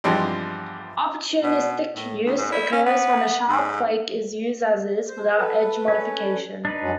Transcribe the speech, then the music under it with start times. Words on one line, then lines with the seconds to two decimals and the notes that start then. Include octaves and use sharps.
Opportunistic use occurs when a sharp flake is used as-is, without edge-modification.
0.04 E2 G2 F3 G3 G#3 C4
1.43 B2
1.96 A2
2.26 D2
2.38 G#2
2.52 E4
2.72 C#4
2.86 B3
3.49 G#2
5.08 C5
5.38 A4 B4
5.88 C#4
6.65 D4 D#4 B4
6.81 F#2 F#3 G#3